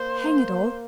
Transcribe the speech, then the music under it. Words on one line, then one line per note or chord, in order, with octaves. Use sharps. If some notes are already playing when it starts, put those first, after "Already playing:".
Hang it all!
Already playing: A#3 C5